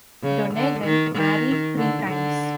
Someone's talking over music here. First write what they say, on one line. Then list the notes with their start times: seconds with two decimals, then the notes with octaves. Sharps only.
Donegan married three times.
0.23 C#3
0.54 D3
0.85 D#3
1.15 D#3
1.78 D3
2.08 D3